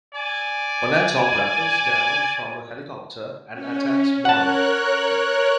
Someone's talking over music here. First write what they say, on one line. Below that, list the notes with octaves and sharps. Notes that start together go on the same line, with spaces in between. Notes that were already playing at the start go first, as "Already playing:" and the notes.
Onatopp rappels down from a helicopter and attacks Bond.
D5 G#5
C#4
A#4 C#5 F#5 A5 F#6